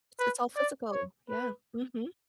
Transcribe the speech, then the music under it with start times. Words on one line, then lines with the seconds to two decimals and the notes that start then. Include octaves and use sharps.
It's all physical. Yeah, mhm.
0.19 B4
0.56 D5
0.92 C#5
1.29 B4